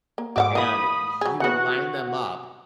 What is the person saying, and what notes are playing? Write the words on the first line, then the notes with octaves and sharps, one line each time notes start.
and you would line them up,
A#3
G#2 F#4 E5 F#5 D6
E3 A#3 B5 D#6
F#3 G#4
E3 B3 F#4 F#5